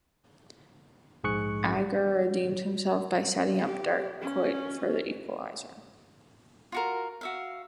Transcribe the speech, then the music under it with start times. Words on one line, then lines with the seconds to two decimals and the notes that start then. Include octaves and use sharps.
Agger redeemed himself by setting up Dirk Kuyt for the equaliser.
1.24 A#1 G#2 G#4 C#6 F#6 C#7
3.64 G4
4.21 C#4
6.72 F4 F#4 A#4
7.21 F#4 E5 F5